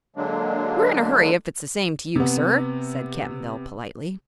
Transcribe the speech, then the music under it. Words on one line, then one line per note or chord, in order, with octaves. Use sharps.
"We're in a hurry, if it's the same to you, sir," said Cap'n Bill, politely.
D3 F#3 G#3 A#3 D4
C3 B3